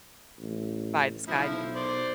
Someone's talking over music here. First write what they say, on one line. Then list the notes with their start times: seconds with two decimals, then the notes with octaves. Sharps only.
by this guy named,
0.39 A1
1.28 B1 F3 E4
1.76 C5 D5